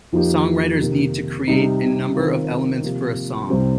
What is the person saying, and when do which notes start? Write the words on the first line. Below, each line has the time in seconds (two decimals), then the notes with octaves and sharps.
Songwriters need to create a number of elements for a song.
0.12 F2 F3 A#3 D#4 G4
0.80 C3 D#3 A#3 D#4 G4
1.48 C3 G3 D#4
2.15 D#3 C4 F4
2.82 C3 F3 A#3 G4
3.49 C2 C3 G3 C4 G4